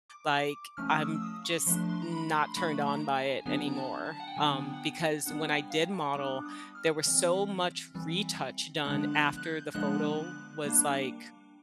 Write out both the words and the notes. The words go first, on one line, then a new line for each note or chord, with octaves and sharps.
like, I'm just not turned on by it anymore, um, because when I did model, there was so much retouch done after the photo was, like,
D6
D6
F3 A3 C#4 F6
D#6
E6
E6
D#6
C#6
F3 A3 D4 C6
C6
A#5
B5
C6
F3 A3 D4 B5
A#5
G#5
D3 F#3 B3 D4 G#5
A#5
A5
A5
F#5
G5
D3 F#3 B3 D4 G#5
F#5
G5
G3 B3 D4 F#5
G#5
G5
F5
A5
G3 B3 D4 D6
D#6
F6
E3 G3 C4
E3 G3 C4
D3 F3 G#3 B3 D4 F#6
F#6
F#6
G6
D3 F3 G#3 B3 D4 F#6
G3 A#3 D4